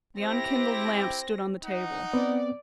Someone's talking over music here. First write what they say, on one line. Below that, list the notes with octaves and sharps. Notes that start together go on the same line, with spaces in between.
The unkindled lamp stood on the table.
C4 E4 G4 A#6
D#4 F#5
B3 C4 D5